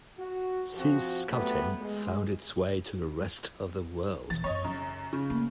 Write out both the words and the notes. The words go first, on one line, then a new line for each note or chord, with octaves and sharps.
Sea Scouting found its way to the rest of the world.
F#4
F3 C4 F#4
F#3 A3 B3 G4
G#3
E1 E3 A6
F#2 C4 C#5 D#5
F#2 C#3
C#3
A3 A#3